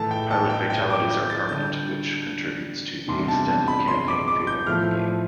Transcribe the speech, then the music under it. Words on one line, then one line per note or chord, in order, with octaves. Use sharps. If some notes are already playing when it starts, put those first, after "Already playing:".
Pilot fatalities are permanent, which contributes to the extended campaign feeling of the game.
Already playing: A2 E3 A3 A5
G5
A5
G5
G5
D6
G6
A6
D3 G3 D4 G6
E2 C3 G3 D4 C6
A5
A5
B5
C6
D6
D6
G6
A2 F3 A3 F6